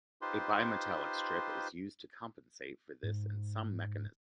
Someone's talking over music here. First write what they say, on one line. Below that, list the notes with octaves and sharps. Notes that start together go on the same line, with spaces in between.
A bimetallic strip is used to compensate for this in some mechanisms.
D#4 F4 G4 B4 C5 C6
G#2